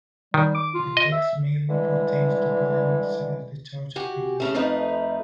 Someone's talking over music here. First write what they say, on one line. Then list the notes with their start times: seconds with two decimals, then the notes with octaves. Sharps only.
The text mainly pertains to polemics against the Church of the East.
0.34 D#3 G3
0.54 D6
0.74 F4
0.97 D#5
1.12 E5
1.69 D3 E3 G3 G#3
3.96 F#4 G4 G#5
4.40 E2 C#3 A3
4.55 F2 F3 A3 D#4 B4